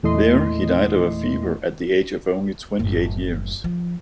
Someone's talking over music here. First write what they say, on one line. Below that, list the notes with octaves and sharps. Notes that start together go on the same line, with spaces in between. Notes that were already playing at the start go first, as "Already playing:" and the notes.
There he died of a fever at the age of only twenty-eight years.
E2 A#2 A3 E4 D#5 C6
F#1 A2
F3